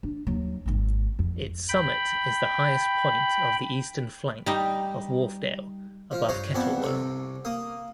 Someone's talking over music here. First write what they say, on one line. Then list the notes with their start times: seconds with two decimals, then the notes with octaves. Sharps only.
Its summit is the highest point of the eastern flank of Wharfedale above Kettlewell.
0.03 D4
0.27 D#2 F#3
0.66 G#1 G#3
1.19 F2
1.69 G5 B5
4.46 G3 D#4 G4
6.12 F3 F4
6.29 G2 C5 C#5 A#5
6.55 F2 B3 C4 D5 A5
6.82 C2 C3 A4
7.45 A#3 D#6